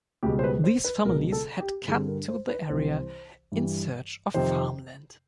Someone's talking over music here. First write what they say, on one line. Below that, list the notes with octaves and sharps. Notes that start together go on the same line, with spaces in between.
These families had come to the area in search of farmland.
C#2 B2 G3 G4
C5
B4
C5
B4
C#2 B2 F#3 A#4
A4
G4
G2 D3 G3 G#4
A#4
C5
B4
C2 C3 E3 C5
G2 E3 G3
F2 C3 D#3 C5